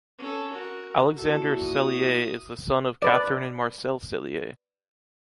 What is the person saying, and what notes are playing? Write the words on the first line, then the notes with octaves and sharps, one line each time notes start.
Alexandre Cellier is the son of Catherine and Marcel Cellier.
C#4 A4
F#4 A#4
A#2 E4 F#4 A4
D#6
B4 D5